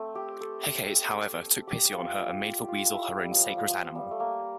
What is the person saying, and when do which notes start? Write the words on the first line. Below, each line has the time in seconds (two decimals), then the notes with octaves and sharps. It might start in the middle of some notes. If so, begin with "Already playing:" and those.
Hecate, however, took pity on her and made the weasel her own sacred animal.
Already playing: A3 C4
0.15 G4
0.41 A4
1.67 G4
1.85 G4
1.92 F4
2.58 G4
2.68 F4
2.93 E4
3.18 G3
3.31 F3
3.44 G3
3.57 F3
3.70 F3
3.95 G3
4.11 A3
4.20 A#3